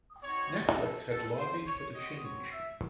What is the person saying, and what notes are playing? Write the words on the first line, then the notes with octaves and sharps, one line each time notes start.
Netflix had lobbied for the change.
C4 D#4 F#4 C#5
A4
A4
C5
C#5
C4 F#4 D#5
C#5
E5